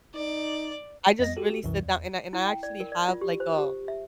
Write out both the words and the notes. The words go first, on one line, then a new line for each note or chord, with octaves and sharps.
I just really sit down and I and I, actually, have, like, a
D#4 D5
F2 B3 D#5 A#6
F#4 G4 A4
C2 F#2 C3 E3
E2
E4
G5
D5
A#4
D5
F4
G4
C5
G4
E5